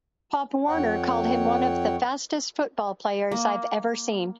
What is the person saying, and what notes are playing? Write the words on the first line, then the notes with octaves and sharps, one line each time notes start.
Pop Warner called him one of the fastest football players I've ever seen.
F2 C#5 F#5 G5
A#3